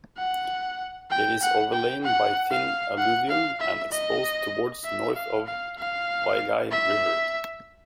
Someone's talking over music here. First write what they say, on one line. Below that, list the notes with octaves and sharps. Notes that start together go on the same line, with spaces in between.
It is overlain by thin alluvium and exposed towards north of Vaigai River.
F#5
G5
F#5
G5
F#5
F5
F#5
F5
E5
D#5
E5
F5
F5
F5
E5